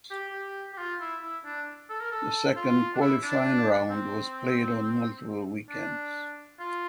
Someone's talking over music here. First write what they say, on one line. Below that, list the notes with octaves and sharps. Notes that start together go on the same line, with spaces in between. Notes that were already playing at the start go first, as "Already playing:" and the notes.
The second qualifying round was played on multiple weekends.
G4
G4
G4
F4
E4
E4
D4
A4
A#4
A4
F4
D4
E4
D4
C4
D4
F4